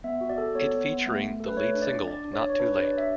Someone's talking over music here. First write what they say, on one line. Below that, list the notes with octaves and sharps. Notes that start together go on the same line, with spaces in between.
It featuring the lead single "Not Too Late".
B3 E5
F#4
D5
A4
B3 C#5
B3
B3
A3
A3
A4
B4
A3 C#5
D4
D5
D4
D4 D5
D4
C#5
D4
C#5
D4 B4
C#5
G4
D5
D4 E5